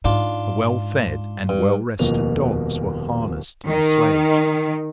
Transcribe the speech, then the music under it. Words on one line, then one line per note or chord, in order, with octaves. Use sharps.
The well-fed and well-rested dogs were harnessed to the sledge.
G#2 D4 F4
G2
D#1 F2 B2 A#3 F7
D#3